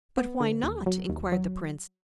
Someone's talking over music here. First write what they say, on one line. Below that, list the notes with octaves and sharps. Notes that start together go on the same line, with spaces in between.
"But why not?" inquired the prince.
B3
D3
D#2
F#3
D#2
F#3